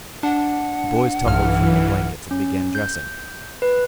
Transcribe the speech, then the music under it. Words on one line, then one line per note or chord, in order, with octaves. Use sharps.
The boys tumbled from their blankets and began dressing.
D4 F#5
B1 G2 E3 F6
C#4
G6
B4